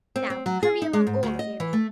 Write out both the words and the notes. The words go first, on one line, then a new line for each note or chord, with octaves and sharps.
Now hurry along, all of you.
C4
C4
F#3
G#4
D#4
G#3
G#2
D2
D#5
E3
A3